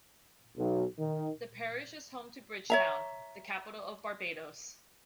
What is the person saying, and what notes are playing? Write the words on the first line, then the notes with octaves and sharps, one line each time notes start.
The parish is home to Bridgetown, the capital of Barbados.
B1
D#3
C#5 E5 A#5